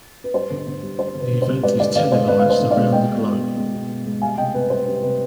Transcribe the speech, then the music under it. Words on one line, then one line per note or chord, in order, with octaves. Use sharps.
The event is televised around the globe.
B4
G3 C5
D3
D3
G3
G3 C5
D3
B4
D3
C5
G3
G#3 B4 D5
D3 B4 D5
D3 D5 F5
G#3 C5 D#5
G#3 B4 D5
F5
D3
C5 D#5
D3
D5 F5
G#3
G#3 D#5 G5
B2
B2
G#3
G#3
B2
B2
G#3
G3 F5 G#5
C3 D#5 G5
C3 B4
G3 C5
G3 B4
C3 B4